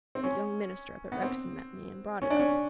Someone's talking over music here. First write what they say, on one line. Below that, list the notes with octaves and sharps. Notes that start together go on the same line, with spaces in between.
That young minister up at Rexton met me and brought it up.
C4
C#4
B3
C4
C#4
D4
C#4